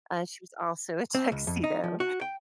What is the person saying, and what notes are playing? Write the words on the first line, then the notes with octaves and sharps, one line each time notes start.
uh, she was also a tuxedo.
C4
C#2
F2
D#4
F3
F#4
G5